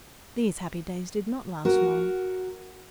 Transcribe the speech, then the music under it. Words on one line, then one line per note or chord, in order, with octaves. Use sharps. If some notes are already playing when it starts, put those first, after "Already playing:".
These happy days did not last long.
F#4 A#4